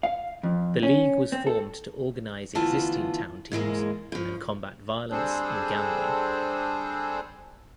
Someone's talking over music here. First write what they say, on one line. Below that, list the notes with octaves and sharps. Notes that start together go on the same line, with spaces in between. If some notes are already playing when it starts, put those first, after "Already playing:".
The league was formed to organize existing town teams and combat violence and gambling.
F5
F2
C#4
C4
A4
D2 E3 B3 F4 A5
G#2 E3 G#3 A#3
G2 F3
G3 C4 D4 G#4 A4 C5